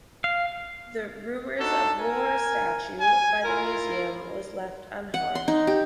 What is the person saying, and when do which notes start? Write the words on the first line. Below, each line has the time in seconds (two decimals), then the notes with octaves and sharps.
The "Rumors of War" statue by the Museum was left unharmed.
0.24 F5
1.59 D4 D#4 F#4 A4
2.00 A#4 G#5
3.00 G#5
3.44 E4 F4 A#4
5.14 F#5
5.35 C6
5.48 D#4
5.67 G4